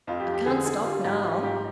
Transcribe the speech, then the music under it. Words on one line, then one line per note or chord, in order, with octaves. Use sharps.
"I can't stop now."
F2 F4
G4
F2
G4
D3 G#4
D3 G#4
G3 F4
G#2 G4
G3 F4
G#2 G4